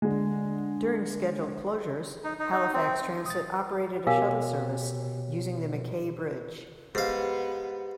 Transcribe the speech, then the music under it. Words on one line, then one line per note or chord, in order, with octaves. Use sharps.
During scheduled closures, Halifax Transit operated a shuttle service using the MacKay Bridge.
D3 G#3
D#4
D#4
D#4
C4
D#6 A6
B2 G4 A#4 C#5 F5 G#5
G#2 B3 G4 F5